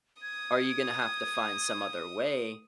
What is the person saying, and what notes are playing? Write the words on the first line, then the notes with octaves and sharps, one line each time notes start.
Are you gonna have to find some other way
D#6 G#6